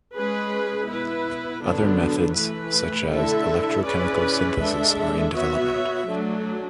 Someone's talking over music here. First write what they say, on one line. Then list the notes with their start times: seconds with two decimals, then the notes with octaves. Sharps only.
Other methods such as electrochemical synthesis are in development.
0.15 G#3 C#4 G#4 B4
0.88 B3 E4 B4
1.62 D3 F#3 B3 D4
2.36 E3 A3 E4 B4
3.11 D3 A3 E4 A4 E5
3.85 C#4 E4 G#4 B4 D5
4.58 G#3 D4 A4 E5
5.33 B3 F#4 C#5 E5
6.07 F#3 A3 D4